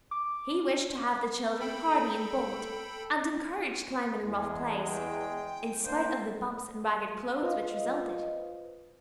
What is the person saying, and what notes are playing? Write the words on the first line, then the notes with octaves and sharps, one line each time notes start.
He wished to have the children hardy and bold, and encouraged climbing and rough plays, in spite of the bumps and ragged clothes which resulted.
D6
A4 G5 B5
E2 G#3
G5
A#3 D4 C5
F4 B4 C5 D#5 F5